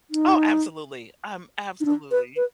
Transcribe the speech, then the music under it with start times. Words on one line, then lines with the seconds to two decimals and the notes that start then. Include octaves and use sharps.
Oh, absolutely, um, absolutely.
0.11 D#4
1.80 D#4
1.85 D4
2.11 B4
2.36 B4